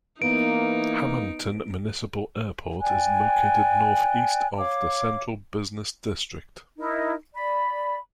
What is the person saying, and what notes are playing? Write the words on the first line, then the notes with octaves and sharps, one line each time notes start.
Hammonton Municipal Airport is located northeast of the central business district.
E3 A#3 B3 D#4 D7
D5 G5 G#5 F#6
C#5 F5 D6
D#4 E4 A#4 D#5
D5 B5